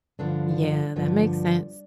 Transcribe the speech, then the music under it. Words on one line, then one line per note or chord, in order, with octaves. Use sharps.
Yeah, that makes sense.
G2 D3 F3 D4
G2 D3 F3